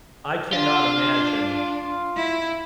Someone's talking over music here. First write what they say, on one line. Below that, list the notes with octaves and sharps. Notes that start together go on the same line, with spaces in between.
I cannot imagine
D4 F4
E4